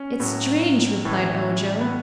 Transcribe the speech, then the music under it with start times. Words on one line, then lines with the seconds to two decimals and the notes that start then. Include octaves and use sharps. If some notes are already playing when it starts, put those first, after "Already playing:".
"It's strange," replied Ojo.
Already playing: C#4
0.20 A2 F#3
1.05 A2 E3
1.81 B3